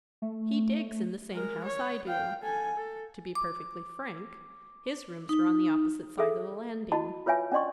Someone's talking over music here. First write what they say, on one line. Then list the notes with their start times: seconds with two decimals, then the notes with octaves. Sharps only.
He digs in the same house I do. To be perfectly frank, his rooms are on the opposite side of the landing.
0.22 A3
1.32 G#3 A#4
1.65 C#5
2.07 F5 G5
2.42 A4 G#5
2.76 A4
3.35 D6
5.29 D#4
6.18 G#4 A4 E5
6.92 E4 F#4 D#5 A5 B5
7.26 F4 B4 C#5 E5 G#5
7.52 C#4 D4 D5 D#5 C6 C#6